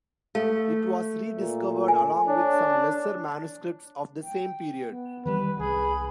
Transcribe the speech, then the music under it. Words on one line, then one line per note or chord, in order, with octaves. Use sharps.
It was rediscovered along with some lesser manuscripts of the same period.
A3 A4 F5
A#2
G#5
D4 C#5
G5
B3
D#3 E3 G3 B4
C2 G#4 B5